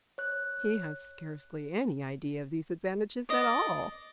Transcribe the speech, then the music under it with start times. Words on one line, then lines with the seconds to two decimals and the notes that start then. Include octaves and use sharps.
He has scarcely any idea of these advantages at all.
0.18 C#5 F#6
3.29 D5 D#5